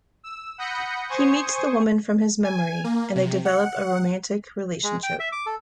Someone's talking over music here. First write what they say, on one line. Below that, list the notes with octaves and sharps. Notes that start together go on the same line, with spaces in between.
He meets the woman from his memory, and they develop a romantic relationship.
E6
F#5 B5 D#6 G6 A#6 C#7
C5 G#5 C#6 D#6
G#5
A#3
C3
F#5
G#3
G5
E5
D6
A4